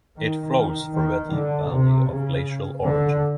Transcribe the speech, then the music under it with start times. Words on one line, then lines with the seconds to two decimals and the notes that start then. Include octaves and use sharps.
It flows through a deep valley of glacial origin.
0.17 D#3
0.55 D#3
0.94 D#3
1.32 D3
1.70 C3
2.08 C#3
2.84 D3